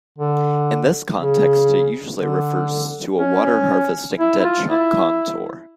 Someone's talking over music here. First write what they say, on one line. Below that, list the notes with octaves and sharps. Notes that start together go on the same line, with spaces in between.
In this context it usually refers to a water-harvesting ditch on contour.
D3
C#3
D3
C#4
E4
E4
F4
E4